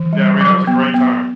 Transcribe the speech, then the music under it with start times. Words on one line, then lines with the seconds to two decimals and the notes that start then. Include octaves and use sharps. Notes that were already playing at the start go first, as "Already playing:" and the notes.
Yeah, I mean, that was a great time.
Already playing: E3
0.13 G3
0.41 F#3
0.67 B3
0.94 B3